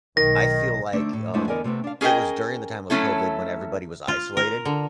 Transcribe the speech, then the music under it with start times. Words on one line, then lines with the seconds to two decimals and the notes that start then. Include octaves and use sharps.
I feel like um, it was during the time of COVID, when everybody was isolated,
0.17 B1 D#3 A#6
0.93 D3 A3 C4 D4 D#4
1.13 A2
1.34 G#3 A3 B3 D4 E4 C5
1.48 D3 B3 A#4 D5 D#5 G#5
1.64 C3 A3 B3 C4
1.84 D4 F5
2.01 C#4 G#4 A#4 D#5 G5
2.90 F#3 A3 C#4 E4 A4
4.08 F4
4.37 A#4
4.65 D3